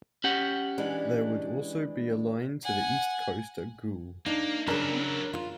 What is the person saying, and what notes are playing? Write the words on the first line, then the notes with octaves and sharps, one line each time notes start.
There would also be a line to the East Coast at Goole.
C#4 G4 F#5
E3 G#3 D4
F#5 G#5
A#3 D4 D#4
C#3 F#3 C#4 D4 E4 A#4
F4